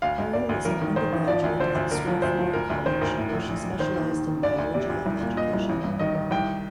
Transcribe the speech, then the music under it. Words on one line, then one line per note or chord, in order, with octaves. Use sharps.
Perrin was an undergraduate at Swarthmore College where she specialized in biology and education.
D2 F5
D2
D2 D5
D2
A1 A#4
D#3
D#3 C5
A1
F3 D5
D2
D3 C5
D2
D3 A#4
F3
D2 C5
F3
D2 A#4
D2
D#3 C5
D2 A#4
A2
A#1
A#1
A#1
D#3 C5
D#2
D#3
D#3
D2 D5
D2
C3 D5
D2
C2
A#2
A#2 D#5
C2
A1
G2
D#3 D#5
D#3
C2 G5